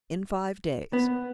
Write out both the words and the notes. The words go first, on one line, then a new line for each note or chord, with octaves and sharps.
"In five days."
B3